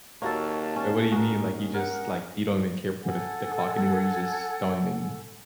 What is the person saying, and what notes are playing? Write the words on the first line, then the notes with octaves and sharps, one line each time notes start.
W what do you mean, like, you just, like, you don't even care put a the clock anywhere, you just don't even
D#2 A#3 F#4 A4 C#5 F5 A5
C#4
D#2 F#4 G#4 A#4
A#4 F#5
A4 F#5 G#5